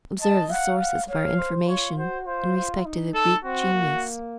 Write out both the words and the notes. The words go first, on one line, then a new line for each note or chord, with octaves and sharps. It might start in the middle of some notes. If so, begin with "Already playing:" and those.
Observe the sources of our information in respect to the Greek genius.
D#5 A5
F5 F#5
F#5
C#5 F5
C5
F4 C#5
F#4 C5
F4 C5
F4
D#4
A4
C4 F#4
A#3